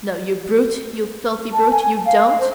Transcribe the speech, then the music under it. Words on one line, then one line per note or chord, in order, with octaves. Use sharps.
No, you brute, you filthy brute, you don't!
A5
G#5
F5
C5